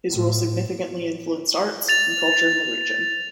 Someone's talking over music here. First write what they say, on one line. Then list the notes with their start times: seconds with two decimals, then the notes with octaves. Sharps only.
His rule significantly influenced arts, and culture in the region.
0.10 A2
1.89 A6 F7